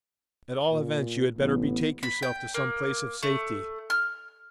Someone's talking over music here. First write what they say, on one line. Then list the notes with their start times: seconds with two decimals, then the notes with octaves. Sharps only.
At all events, you had better betake yourself to some place of safety.
0.71 A#2
1.38 A1 B3
2.03 B5
2.23 G5
2.54 A#3
3.23 A3
3.90 F6